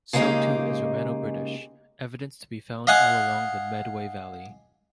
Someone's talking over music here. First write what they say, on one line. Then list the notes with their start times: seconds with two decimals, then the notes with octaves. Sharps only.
So too is Romano-British: evidence is to be found all along the Medway Valley.
0.13 C#3 G#3 A#3 D#4 G4
2.87 D#5 F5 F#5 G#5 D#6